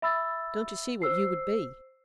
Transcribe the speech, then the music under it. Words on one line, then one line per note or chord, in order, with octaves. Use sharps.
'Don't you see what you would be?
E5 B5 E6 A6
C5 E6 C7